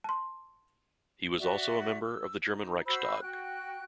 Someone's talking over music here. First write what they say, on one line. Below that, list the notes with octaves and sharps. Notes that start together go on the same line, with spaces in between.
He was also member of the German Reichstag.
A5 C6
F#4 D5 E5
E6
D#4
F#4 C5 B5 E6
F#4 G5 F#6